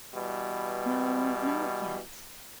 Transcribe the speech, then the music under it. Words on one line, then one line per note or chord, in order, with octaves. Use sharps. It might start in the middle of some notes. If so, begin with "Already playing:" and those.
'No, not yet.
B2 E3 G3